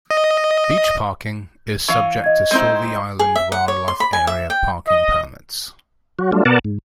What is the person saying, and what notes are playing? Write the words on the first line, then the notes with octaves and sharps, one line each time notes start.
Beach parking is subject to Sauvie Island Wildlife Area parking permits.
D#5
E3 C#5 F5
D#5 G#6
G#3 C4 D#4 E4 C5
G#4
E5
F#5
C#5
C6
B5
G#5
E5
G5
D#5
F#3 F#4
F#3 G3 A3 D4 F4
B2 B3 A#4 D5 F#5 A5
G#2